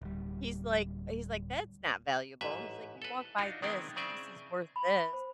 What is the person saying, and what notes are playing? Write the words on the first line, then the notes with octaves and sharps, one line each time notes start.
he's like he's like, "That's not valuable." He's like, "You walk by this, and this is worth this,
D1 G3
A1 G#2 B4 E5
A4 B4
D4 D#4 F4 F#4
D#3 G#3 B3 C4 D4 E4
C#3 C4 G#4 D5 E5
B5
C5